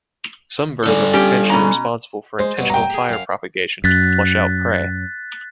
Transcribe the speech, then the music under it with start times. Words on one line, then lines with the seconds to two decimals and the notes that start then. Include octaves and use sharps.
Some birds are potentially responsible for intentional fire propagation to flush out prey.
0.84 G3 D4 A4
1.13 C#4 G4
1.50 B2 C#4 A#5
2.39 G#3 C5
2.57 G2 B2 F#3
2.70 G5 A#5
2.90 G4 G#4
3.09 F#2 F5
3.84 F#2 F#6 A6 B6